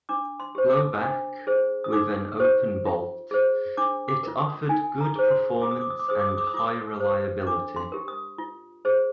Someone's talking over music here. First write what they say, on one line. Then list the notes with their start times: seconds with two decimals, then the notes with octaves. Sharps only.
Blowback, with an open bolt, it offered good performance and high reliability.
0.09 D4 D6
0.40 C6
0.55 G4 C5
0.70 D6
1.01 D4
1.47 G#4 C5
1.84 D#6
1.92 D#4 D6
2.39 G4 C5
2.85 F4
3.31 G#4 C5
3.77 D4 D6
4.08 D6
4.23 F4 A#4
4.39 D#6
4.69 D#4 G#5
5.01 A#5
5.16 G#4 C5
5.31 C6
5.62 F4 D6
5.71 D#6
5.81 D6
5.90 D#6
5.99 D6
6.08 G#4 C5 D#6
6.19 D6
6.28 D#6
6.37 D6
6.47 D#6
6.54 F4 D6
7.00 C5
7.47 D4 D6
7.76 C6
7.92 G4 A#4
8.08 D#6
8.38 F4
8.85 G#4 C5